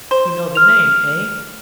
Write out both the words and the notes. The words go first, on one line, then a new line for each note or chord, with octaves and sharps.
"You know the name, eh?"
C5
F6 F7